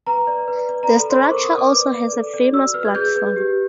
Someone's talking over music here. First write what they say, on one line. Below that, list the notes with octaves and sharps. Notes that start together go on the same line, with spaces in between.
The structure also has a famous platform.
B4 A#5
D5
B4
D5
A#5
A4 B5
C5 C6
D6
A#4 C#6
D#6
D5
D6
B4
D5
A4
D5
F#4 E6
B4 F6
G#6
G#4 G6
B4
G4